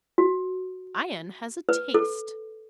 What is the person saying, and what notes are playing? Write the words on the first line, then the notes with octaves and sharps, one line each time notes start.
"Iron has a taste."
F#4
B4
A4